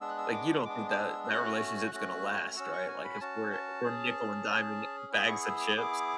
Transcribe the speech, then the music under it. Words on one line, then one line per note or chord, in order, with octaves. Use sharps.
Like, you don't think that that relationship's gonna last, right? Like, if we're we're nickel and diming bags of chips.
G#3 B3 D4 E6
F#6
E6
D6
G#3 B3 D4 D6
D6
E6
E6
A3 C#4 F#4 F#6
A3 C#4 F#4
C#4 F#4 E6
C#6
G#5
B5
G#5
C#4 F#4 A5
A5
C#4 G#4
C#4 G#4
B3 E4 G#4 B5
C#6
E6
D6
B3 E4 G#4